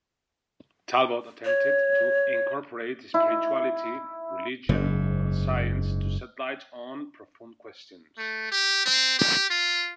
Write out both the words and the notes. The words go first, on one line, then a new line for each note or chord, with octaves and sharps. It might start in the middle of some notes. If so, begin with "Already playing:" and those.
Talbot attempted to incorporate spirituality, religion and science to shed light on profound questions.
C#5
E4
F#1 G#2
A3
G4
C4
G4
F4